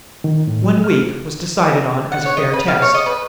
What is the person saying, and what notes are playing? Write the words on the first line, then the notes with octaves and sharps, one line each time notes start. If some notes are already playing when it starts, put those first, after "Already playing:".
One week was decided on as a fair test.
D#3
A2
F#3
F6
F#5
C#5
D#5
B4
F5
C#5
D#5
B4